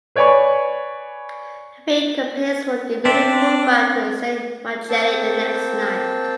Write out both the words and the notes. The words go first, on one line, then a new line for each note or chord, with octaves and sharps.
The three companies were immediately pulled back to San Micheli the next night.
B4 C#5 D5 G#5 B5 C#6
C4 D4 E5
A#3 C4 G5 A5